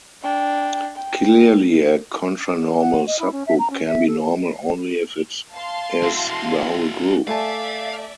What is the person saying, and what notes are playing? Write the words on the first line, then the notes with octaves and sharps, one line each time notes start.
Clearly, a contranormal subgroup can be normal only if it is the whole group.
D4 G5
G5
F#5
D#5
E4
C#4
E5
A#5
C#4
E5
A4
F5 A5 C6
E4 F#4
A3 D5 E5 F5 G#5 A5